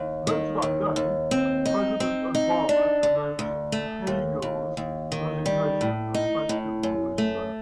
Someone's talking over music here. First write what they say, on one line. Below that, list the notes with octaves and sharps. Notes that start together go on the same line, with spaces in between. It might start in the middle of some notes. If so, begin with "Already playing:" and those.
Later that day, President Obama announced Hagel's resignation and thanked him for his service.
Already playing: D#2
D#3
D#2
D#2
C4
D#4
C4
D#4
D4
D3
D2
A3
D#2
D#2
D#2
D#3
G3
A2
D#4
A2
F#2
A3